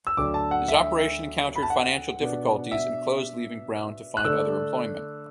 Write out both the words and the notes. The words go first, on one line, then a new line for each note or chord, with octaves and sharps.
His operation encountered financial difficulties and closed leaving Brown to find other employment.
E6
D2 D3 F#3 D4 D6
A5
F#5
E5
B5
A5
F#5
B2 B3 D4
E5
F#6
D3 A3 D4 E6